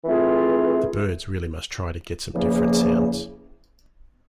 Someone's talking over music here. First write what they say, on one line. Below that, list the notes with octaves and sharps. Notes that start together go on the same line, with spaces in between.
The Byrds really must try to get some different sounds.
E3 A3 C4 F4 G#4
E2 C#3 F3 A#3